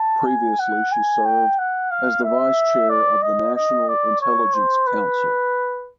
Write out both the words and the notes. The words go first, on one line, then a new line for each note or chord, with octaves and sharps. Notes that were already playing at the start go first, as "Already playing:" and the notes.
Previously she served as the Vice Chair of the National Intelligence Council.
Already playing: A5
G#5
F#5
G#5
G5
F#5
F5
E5
D5
D#5
D#5
D5
C#5
C5
B4